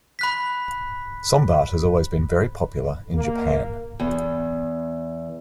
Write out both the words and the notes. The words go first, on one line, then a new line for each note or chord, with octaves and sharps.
Sombart has always been very popular in Japan.
B5 F#6 B6
A#3
E2